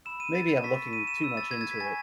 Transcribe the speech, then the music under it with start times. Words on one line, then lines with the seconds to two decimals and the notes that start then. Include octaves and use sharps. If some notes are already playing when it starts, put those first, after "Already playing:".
Maybe I'm looking too much into it.
0.05 B5 E6 E7
0.20 D#7
0.35 A6
0.49 A6
0.63 A5 C#6 E6 B6
0.93 D#7
1.07 E7
1.22 B5 E6
1.37 A6
1.51 G#6
1.61 A6
1.71 B6
1.80 G#5 C#6 E6 A6